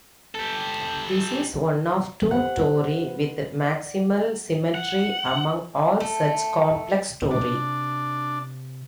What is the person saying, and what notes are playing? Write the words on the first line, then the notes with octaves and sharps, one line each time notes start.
This is one of two tori with maximal symmetry among all such complex tori.
G4 A4
G4 C5 F5 F#5
B4
D5
F#5
A3
C3 D4